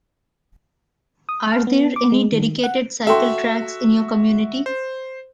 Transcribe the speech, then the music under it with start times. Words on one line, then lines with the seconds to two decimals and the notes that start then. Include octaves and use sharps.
Are there any dedicated cycle tracks in your community?
1.29 D#6
1.52 F6
1.67 B3
1.96 D6
2.12 G#3
2.32 D#3
2.64 F#5
3.07 F#4 A4 E5 G5 C6
4.66 C5